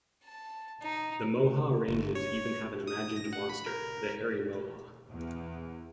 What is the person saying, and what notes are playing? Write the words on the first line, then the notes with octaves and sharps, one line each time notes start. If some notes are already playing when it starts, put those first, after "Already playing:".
The Moehau Ranges even have an imagined monster, the Hairy Moehau.
A5
D#4
G1
C#5
D#6
A#6
F#5
B5
A#4
E2